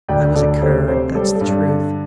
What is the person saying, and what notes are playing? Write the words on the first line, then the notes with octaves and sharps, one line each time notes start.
I was a cur, that's the truth....
D2 D5 G5
D2 A4 D5
A3 G4 C5
C3 G4 C5
G3 A4
G4
A4
G2
D3